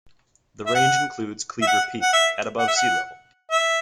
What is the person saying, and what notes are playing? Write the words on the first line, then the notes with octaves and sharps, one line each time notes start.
The range includes Cleaver Peak, at above sea level.
E5
F#5
E5
F#5
F#5
E5
F#5
E5
F#5
E5